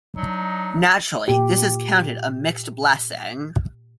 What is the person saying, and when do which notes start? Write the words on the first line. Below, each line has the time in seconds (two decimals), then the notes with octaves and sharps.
Naturally, this is counted a mixed blessing.
0.17 F#3 D4 D#4
1.28 A#2 G4